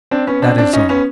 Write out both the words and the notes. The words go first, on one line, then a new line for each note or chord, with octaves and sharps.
That is all.
C4 D4
B3 C#4
C4 D4
C4 D4
C#4 D#4
B3 C#4